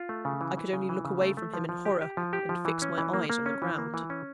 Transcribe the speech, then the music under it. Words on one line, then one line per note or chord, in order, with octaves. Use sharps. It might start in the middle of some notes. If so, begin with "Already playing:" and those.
I could only look away from him in horror, and fix my eyes on the ground.
Already playing: F4
A3
C#3
E3
E3
C#3
E3
C#3
A3
A3
F3
F3
G4
G4
F3
G4
F3
E3
C#4
E3
A#3
A#3
C#4
E3
A#3
E3
C#4